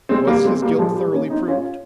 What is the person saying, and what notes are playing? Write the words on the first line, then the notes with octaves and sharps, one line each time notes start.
Was his guilt thoroughly proved?
G#3 C4
G3 A#3
G#3 C4
G3 A#3
F3 G#3
G3
A#3 C#4
C4 D#4
C#4 F4